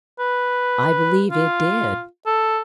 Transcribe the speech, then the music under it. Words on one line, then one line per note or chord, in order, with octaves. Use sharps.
"I believe it did."
B4
F4
A4